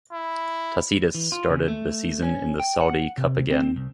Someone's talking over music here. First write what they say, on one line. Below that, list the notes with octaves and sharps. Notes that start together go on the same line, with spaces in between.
Tacitus started the season in the Saudi Cup again.
E4
E3
F4
C#3
A3
C#4
G5
F#5
C3
C4
C2